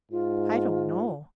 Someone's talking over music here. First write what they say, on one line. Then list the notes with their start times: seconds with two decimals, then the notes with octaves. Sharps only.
"I don't know."
0.11 G#2 F4